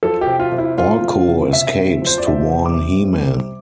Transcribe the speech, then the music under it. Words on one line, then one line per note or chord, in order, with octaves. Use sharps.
Orko escapes to warn He-Man.
F3 A4
G4
C3
F4
C3
E4
C4 F4
F3
C3
C3 E5
C4
F3 C5
D5
C3 E5
C3
D6
C4
G3
C3